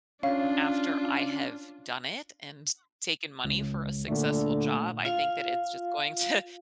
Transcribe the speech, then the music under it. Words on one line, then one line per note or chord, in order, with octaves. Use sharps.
after I have done it and t taken money for a successful job, I think that it's just going to
C#4 D4 F4 F5
C#2
A#2 D3 A3
F4 F5